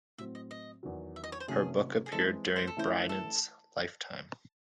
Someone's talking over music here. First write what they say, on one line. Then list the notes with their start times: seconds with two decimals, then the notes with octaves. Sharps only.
Her book appeared during Bryant's lifetime.
0.18 A2 F#3 C4 E5
0.35 D#5
0.51 D#5
0.83 E2 D#3 F#3
1.16 E5
1.24 D#5
1.32 C#5
1.40 C5
1.48 C3 D#3 F#3 A3 C#4 G#4
2.06 G#4
2.12 E3 G#3 C4 A4
2.44 C#5
2.56 C5
2.67 A4
2.77 E3 A3 C#4 E4 C5
3.09 A4